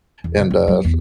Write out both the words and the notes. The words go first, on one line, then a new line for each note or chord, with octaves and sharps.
and, uh, f
E2
C#3
F2
F#3
E2